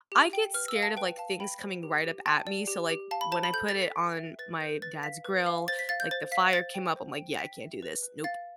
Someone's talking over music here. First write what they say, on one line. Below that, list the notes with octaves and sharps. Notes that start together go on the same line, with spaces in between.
I get scared of, like, things coming right up at me, so, like, when I put it on my dad's grill, like, the fire came up, I'm, like, "Yeah, I can't do this. Nope,
G4
G5
B4 F6
E6
F5
A5
B4 G5
F5 A5
G5 B5
C5
G4
G4
G5 A5
D5
G4
G4
F5 A5
B5
C5 A5
B5
A4 G6
A6
A4
B6
G5
E5
B4 A6
B4 G6
B4 A6
F5 B6
B4
F5
C5 A6
B6
F5 A6
G6
C5 A6
F5 B6
C5 A6
G5
C5
G5
G5 B6
E5
B4
B4
F5 A6